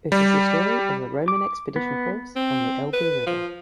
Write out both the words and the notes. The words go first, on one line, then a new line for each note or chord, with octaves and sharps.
It is a story of a Roman expedition force on the Elbe river.
G3
D6
B3
C4
B4
F3